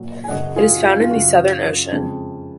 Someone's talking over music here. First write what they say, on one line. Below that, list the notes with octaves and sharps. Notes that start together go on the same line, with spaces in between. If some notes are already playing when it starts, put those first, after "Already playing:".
It is found in the Southern Ocean.
Already playing: A#2 F#3
G#5
F#2 C#3 F#3 D#5 F#5
F4 G#4
F#4
F4
F4
F#2 C#3 F#3 F#4
F2 C#3 G#3